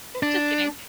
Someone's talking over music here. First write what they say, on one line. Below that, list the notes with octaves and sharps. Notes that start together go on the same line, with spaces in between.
Just kidding.
D4